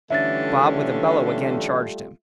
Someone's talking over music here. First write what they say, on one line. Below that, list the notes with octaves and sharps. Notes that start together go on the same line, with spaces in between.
Bob with a bellow again charged him.
D3 E3 G3 A3 C#4 F4 E5 A6